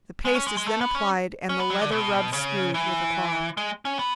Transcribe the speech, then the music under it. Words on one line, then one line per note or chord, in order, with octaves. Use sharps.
The paste is then applied, and the leather rubbed smooth with a cloth.
G#3
C#4
G#3
G#3
A3
B3
C#4
C#4
B3
F#3
D3
B2
C#3
E3
G#3
C#4
B3